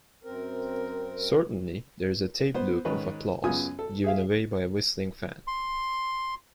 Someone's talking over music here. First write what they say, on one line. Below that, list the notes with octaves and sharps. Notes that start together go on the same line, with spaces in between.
Certainly there is a tape-loop of applause, given away by a whistling fan.
F#2 C4 A#4
B3 C5
G#2 D#3 C#4 B4 D#5
F#2 C#3 B3 F4 G#5 D#6
A4
G#4 E5 F5
C6